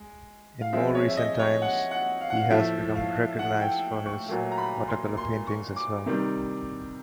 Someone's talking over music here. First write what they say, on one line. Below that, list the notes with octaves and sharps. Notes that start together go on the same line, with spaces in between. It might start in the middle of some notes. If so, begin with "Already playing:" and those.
In more recent times, he has become recognised for his watercolour paintings as well.
Already playing: G#3
F5
F3 G#3 C4 E5
C#5
E5
D#5
C#5
F#5
F#5
F5
F#5
F5
A2 F3 A3 E5
F5
F#5
G5
C#6
A#2 F#3 A3
A#5
B5
C6
C6
C#6
D6
C3 D#3 G3